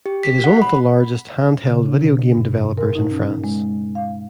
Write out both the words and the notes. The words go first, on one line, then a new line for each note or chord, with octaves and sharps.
It is one of the largest handheld video game developers in France.
G4
B6
F#5
B5
C#3
D4
B2
G2
A#4
D#4
C#4
G#3
F5